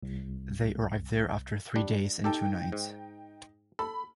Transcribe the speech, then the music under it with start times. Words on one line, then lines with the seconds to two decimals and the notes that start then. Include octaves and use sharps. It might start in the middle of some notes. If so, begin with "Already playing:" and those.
They arrived there after three days and two nights.
0.03 C2
1.76 G3 D4
2.24 D#4 G4 A4 G5 A5
2.72 G#2
3.79 A4 B5